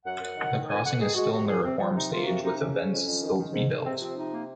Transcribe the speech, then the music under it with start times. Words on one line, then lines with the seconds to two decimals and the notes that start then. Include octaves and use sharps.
The crossing is still in the reform stage, with the vents still to be built.
0.05 F#2 F#5
0.21 F#2
0.37 D#3
0.53 D#3
0.69 F2 G#5
0.84 F2 F#5
1.00 D#3 G#4
1.16 G#3 F#4
1.31 C3 F#4
1.47 F3 G#4
1.63 C3 C4
1.79 F3
1.95 C3 D#4
2.11 A#3 F4
2.26 C3 F#4
2.42 A#3 D#4
2.58 C#3 C#4
2.74 C#3
2.90 F2
3.05 F2
3.21 D#3
3.38 D#3
3.53 G#2
3.69 G#2
3.84 C3 C4
4.00 F3 C4
4.16 C3 D#4
4.32 A#3